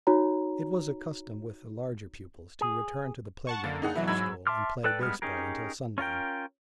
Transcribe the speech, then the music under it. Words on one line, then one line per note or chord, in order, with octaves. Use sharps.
It was a custom with the larger pupils to return to the playground after school, and play baseball until sundown.
D#4 F#4 C#5 A#5
G#4
F#5 A5 C#6
D3 A#3 A6
D#4 G#4 F#5
B2 E3 F#3 E4
G#2 F#3 B5 E6 G#6
E5 A5 C6 D6 F6
A4 B4 D5 G5 F#6
G3 G#3 B3 F6
C#4 D#4 G4 G#4 A#4
C#4 F4 A#4 G5